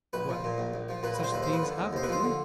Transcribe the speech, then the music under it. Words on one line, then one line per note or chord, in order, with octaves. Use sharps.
"Well, such things have been."
A#1 B4
F3
A#2
A#1
A#1
F3
A#2 B4
B4
A#1 C5
D#2 B4
C5
F3 B4
D3
D#2
D#2 C5
B4
F3 C5
D3